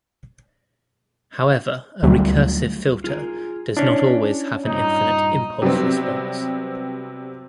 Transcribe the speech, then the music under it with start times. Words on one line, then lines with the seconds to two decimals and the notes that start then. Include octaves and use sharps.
However, a recursive filter does not always have an infinite impulse response.
2.03 D2 F#3 G3 A3
3.04 F4 G#4 A#4
3.77 C#4 D4 E4
4.65 G2 A#2 D#4
5.62 C3 F#3 G3 B3 C4